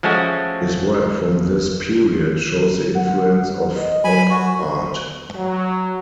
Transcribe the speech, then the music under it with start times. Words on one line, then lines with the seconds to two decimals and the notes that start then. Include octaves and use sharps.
His work from this period shows the influence of Op Art.
0.03 F3 G#3 A3 C#4 F#4
2.95 F#5
3.76 D#5
4.04 F#3 G#5 B5
4.30 F#4
5.36 F#3